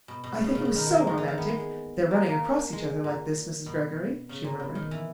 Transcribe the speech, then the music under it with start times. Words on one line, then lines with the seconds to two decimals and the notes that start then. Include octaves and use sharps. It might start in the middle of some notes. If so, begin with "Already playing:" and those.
"I think it was so romantic--their running across each other like this, Mrs. Greggory," she murmured.
0.08 B2
0.24 B2
0.34 C#3
0.44 B2
0.55 C#3
0.65 B2
0.75 D#3
0.86 G#3
0.96 A#3
1.07 G#3
1.18 E3
1.28 D#3
1.38 B3
1.49 G#3
2.11 A#3
2.26 A#3
2.73 G#3
3.04 A#2
3.66 B2
4.29 C#3
4.44 A#2
4.60 B2
4.75 D#3
4.91 E3